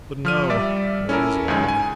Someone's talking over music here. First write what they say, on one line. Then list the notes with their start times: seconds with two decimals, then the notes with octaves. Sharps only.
But no--it is long.
0.25 F3 F6 D#7
0.49 G3 D5 E5 D6
1.09 C#4 E4 A4 A#4
1.48 C#2 D#3 G#3 G#5
1.68 G#5